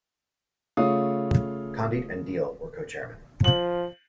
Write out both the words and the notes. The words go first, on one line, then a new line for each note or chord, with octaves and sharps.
Condit and Deal were co-chairmen.
C#3 A3 F4 C#5 F5 D#6
F3 F#7